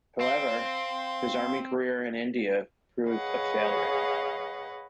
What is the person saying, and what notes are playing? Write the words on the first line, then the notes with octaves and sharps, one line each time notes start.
However, his army career in India proved a failure.
C4 F5 C6
G#4 B4 C#5 D#5 F5 F#5